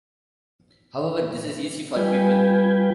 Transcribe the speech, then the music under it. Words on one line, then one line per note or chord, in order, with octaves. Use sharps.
However, this is easy for people.
G3 F4 B4 G5 G#5